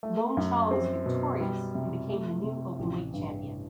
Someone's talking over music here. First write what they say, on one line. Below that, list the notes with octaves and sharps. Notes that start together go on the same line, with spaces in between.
Lone Chaw was victorious and became the new Openweight Champion.
A3
F#2
C4
B2
G3
C3
A3
C3
A1
G2